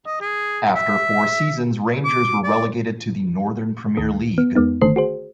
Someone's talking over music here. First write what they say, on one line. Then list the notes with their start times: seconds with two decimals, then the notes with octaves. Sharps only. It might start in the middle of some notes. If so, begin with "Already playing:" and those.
After four seasons Rangers were relegated to the Northern Premier League.
0.06 D#5
0.21 G#4
0.75 E5
2.04 D6
2.44 D5
3.97 D2 D#3 A3
4.38 B3
4.55 E2 G#3 B3 D#4
4.81 G1 D3 D#3 A3 C5 C7
4.96 F#4 G#4 C5